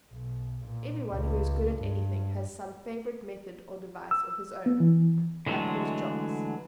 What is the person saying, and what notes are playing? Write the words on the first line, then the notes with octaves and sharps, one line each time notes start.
Every one who is good at anything has some favourite method or device of his own: that was Jock's.
B1
A#2
C#2
G2
E6
B3
E3
D3 E3 F#3 G#3 A3